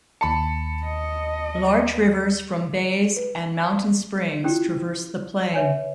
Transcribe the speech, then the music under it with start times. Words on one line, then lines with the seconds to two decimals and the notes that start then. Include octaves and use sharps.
Large rivers from bays and mountain springs traverse the plain.
0.21 D#2 A5 B5 C#7
0.85 D#5
3.17 B4
4.44 C#4 E4 F4 G4 G5
5.54 B4 C#5 E5 G#5